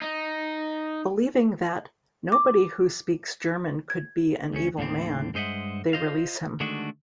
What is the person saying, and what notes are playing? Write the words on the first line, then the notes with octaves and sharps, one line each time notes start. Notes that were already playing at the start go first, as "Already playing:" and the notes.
Believing that "nobody who speaks German could be an evil man", they release him.
D#4
D6
G#6
D2 C#4
D#2 A2 D3 C4
G2 G#3 C5 D#5 E5 F#5
F4 C5 D#5 F5
D3 D#3 G#3 A3 D4 F#4